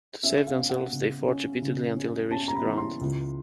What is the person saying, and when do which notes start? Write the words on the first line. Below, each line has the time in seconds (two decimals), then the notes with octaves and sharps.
To save themselves, they fart repeatedly until they reach the ground.
0.23 C#4 E5
0.47 F5
0.59 C#4
0.70 F#5
0.93 C#3
1.28 C#4
1.61 C#3
1.96 C#4
2.31 C#4 A5
2.48 A#5
2.55 B5
2.66 E3
2.78 C6
3.01 C#2